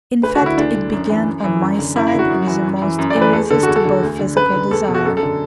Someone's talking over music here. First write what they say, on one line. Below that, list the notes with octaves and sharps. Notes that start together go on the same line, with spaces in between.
In fact, it began on my side with a most irresistible physical desire.
D2 B4
F#4
D3
E4
D2 D4
D3
F#2
E3
F#2
E3
F#2
D3
F#2 E4
E4
D3
F#4
F#2
E3
F#2
E3
F#2
D5
E3
B4
E2 A4
D3 A4
E2 F#4
A4
D3
D2
D3
F#2 B4
D3
E2 A4
B2
F#4
F#2 A4
A4
D3